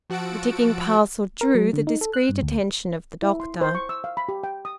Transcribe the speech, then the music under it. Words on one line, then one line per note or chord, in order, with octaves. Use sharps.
The ticking parcel drew the discreet attention of the doctor.
F3 F#4 F#5 A5 E6 D7
A#4
F#3
D3
D#4
A4
F#6
G2
D2
E4
C6
C5
C#6
E6
F5
B5
G4
G5
D#6